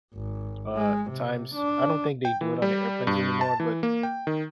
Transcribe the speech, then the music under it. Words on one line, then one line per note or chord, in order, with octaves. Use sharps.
uh, times I don't think they do it on the airplanes anymore, but
G#1
G#3
C3
D4
G5
E3
G3
G2
A5
E3
A#3
G5
D#3